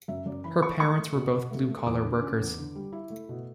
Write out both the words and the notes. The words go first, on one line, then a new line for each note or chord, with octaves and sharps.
Her parents were both blue collar workers.
F#2 E5
F#2 D5
E3 B5
E3 C#6
A3 C#6
A3
B2
B2
A3
A3
E2 D6
D3
C#4
E2
D3
G3
E4
A3
B2